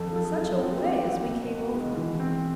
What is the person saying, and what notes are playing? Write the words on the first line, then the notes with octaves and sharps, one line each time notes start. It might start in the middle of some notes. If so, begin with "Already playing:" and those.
Such a way as we came over!
Already playing: F2 A4
F3 A4
G#4
F2
C4 F#4
C4 G4
C4 F#4
B2
B2
G#3
E3
C4